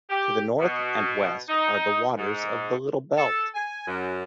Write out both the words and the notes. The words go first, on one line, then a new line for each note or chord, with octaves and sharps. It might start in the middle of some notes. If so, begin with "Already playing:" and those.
To the north and west are the waters of the Little Belt.
G4
B2
D#4
G#2
A4
G#5
F#2